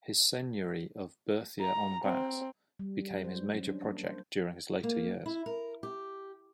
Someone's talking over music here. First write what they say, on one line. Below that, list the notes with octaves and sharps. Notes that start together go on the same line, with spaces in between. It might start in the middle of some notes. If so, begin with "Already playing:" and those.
His seigneury of Berthier-en-bas became his major project during his later years.
A#5
C4
G3
F#3
C5
C#4
D4
A#3
C5
A#3
E4
A#4
G4